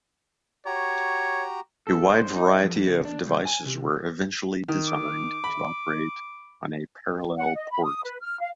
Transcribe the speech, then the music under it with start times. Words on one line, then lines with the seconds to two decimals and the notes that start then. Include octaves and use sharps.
A wide variety of devices were eventually designed to operate on a parallel port.
0.66 F#4 G4 C#5 A#5
1.87 A4
2.09 C5
2.36 D#4
2.63 F2
2.86 C#3
3.05 D4
3.26 C2
3.45 G#5
3.66 C3
4.68 D#3
4.88 D6
5.44 B5
7.37 F#5
7.55 D#5
7.71 B5
7.84 D#6
8.04 B4
8.21 F6
8.39 F5